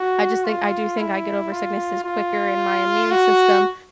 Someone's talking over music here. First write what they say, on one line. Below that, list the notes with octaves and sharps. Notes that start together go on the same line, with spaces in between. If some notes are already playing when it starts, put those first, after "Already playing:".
I just think I do think I get over sicknesses quicker and my immune system
Already playing: F#4
F4
E4
F4
F4
F#4